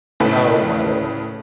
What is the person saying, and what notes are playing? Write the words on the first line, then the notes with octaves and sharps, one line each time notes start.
Oh my lord.
A2 C#3 A4 B4 G5